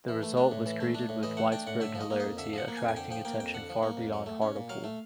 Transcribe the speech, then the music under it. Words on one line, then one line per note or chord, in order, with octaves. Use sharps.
The result was greeted with widespread hilarity, attracting attention far beyond Hartlepool.
E3
A3
D4
A2
E3
A3
D4
A2
E3 D#5
A3 F#5
D4 G5
A2 F#5
D3 E5
F3
D#5
A#3
F2 D#5
D3 E5
F3 F#5
A#3
G#5
F2
G#5
D3 G5
F3 G5
A#3 G5
F2 G5
D3 F#5
F3
A#3
F2
F#3
A3
C#4
A#2
F#3 F5
A3